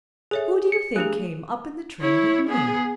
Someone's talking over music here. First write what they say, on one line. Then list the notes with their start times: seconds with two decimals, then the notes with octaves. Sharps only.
Who do you think came up in the train with me?'
0.31 G#4 A4 C#5 E5
0.72 C#7
0.96 A3 D4 G4 G#4
2.01 E4 C#5
2.48 B3 G#4